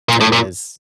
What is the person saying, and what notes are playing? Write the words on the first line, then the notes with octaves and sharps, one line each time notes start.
It is.
A#2
A2
A#2